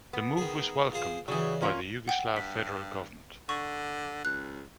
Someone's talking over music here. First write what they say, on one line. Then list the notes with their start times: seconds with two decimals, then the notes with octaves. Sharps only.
The move was welcomed by the Yugoslav federal government.
0.13 B3
0.37 D#3 G#4
0.93 F4 G#4 C5
1.28 C#3 E3 F#3 G3 G#4
1.61 A#3 C#4 F4
2.08 F#5 G5
2.36 G2 B6
3.49 D3 C#6
4.25 C#2 F#6